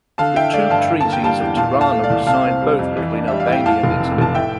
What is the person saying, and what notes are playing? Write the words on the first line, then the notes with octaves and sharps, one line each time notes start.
The two Treaties of Tirana were signed both between Albania and Italy.
D3 F5 A5
E4 E5 G5
A3 D5 F5
G2 F5 A5
D3
A#3 A5
G5
G3 F5 A5
E2
A#2 F5 A5
E4
F5 A5
A3
D5 F5
C2
C3 F5 A5
C4
G3
F2
E3
D4
G3 E5
F5
A2 G5
E2 F5 A5
F1
C3
F1 A5
A2 E5 G5